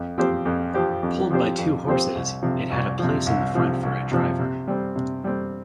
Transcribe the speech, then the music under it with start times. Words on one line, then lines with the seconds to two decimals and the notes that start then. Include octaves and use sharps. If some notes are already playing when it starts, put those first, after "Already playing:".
Pulled by two horses, it had a place in the front for a driver.
Already playing: F2
0.18 F3 C4 G4 C5
0.45 F2
0.74 F3 C4 G4 C5
1.03 F2
1.30 F3 C4 G4 C5
1.58 F2
1.87 F3 C4 G4 C5
2.15 C2
2.42 C3 F3
2.71 C2
2.99 C3 F3
3.27 C2
3.55 C3 F3
3.83 C2
4.11 C3 F3
4.39 C3
4.67 G3 C4
4.96 C3
5.24 G3 C4